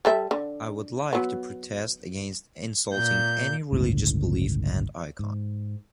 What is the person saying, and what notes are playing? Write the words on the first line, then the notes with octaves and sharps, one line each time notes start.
I would like to protest against insulting any religious belief and icon.
G3 A4 E5
D3
F#3 B3
A#2 G6
G1 C#2 A2
G#2